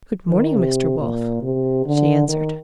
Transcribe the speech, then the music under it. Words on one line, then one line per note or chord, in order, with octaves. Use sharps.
"Good morning, Mr. Wolf," she answered.
D#3
C3
A#2
C3
D3
D#3